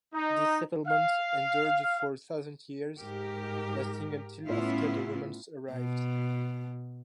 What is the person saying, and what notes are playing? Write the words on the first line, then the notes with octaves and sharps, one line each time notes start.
This settlement endured for a thousand years, lasting until after the Romans arrived.
D#4
F5
G#2 G4 A#4
A2 B3 C#4 E4 F4
B2